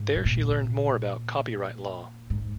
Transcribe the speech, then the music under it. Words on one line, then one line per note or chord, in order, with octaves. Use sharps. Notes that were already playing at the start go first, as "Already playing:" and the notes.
There she learned more about copyright law.
Already playing: G#2
B2
A#2
G#2